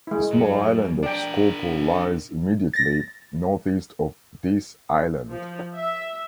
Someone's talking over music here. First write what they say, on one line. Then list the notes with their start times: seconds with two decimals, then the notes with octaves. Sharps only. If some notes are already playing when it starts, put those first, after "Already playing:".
The small island of Skorpo lies immediately northeast of this island.
0.07 G#3 E4
0.31 F#2
1.03 D4 A#4 D5 G5
2.74 A6 A#6
5.31 F3
5.76 E5